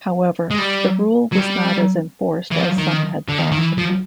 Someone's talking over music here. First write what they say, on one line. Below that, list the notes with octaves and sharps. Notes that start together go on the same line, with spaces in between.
However, the rule was not as enforced as some had thought.
G#3
G3
F#3
G3
E3
F3
D#3
D3
D#3
D#3
E3
F3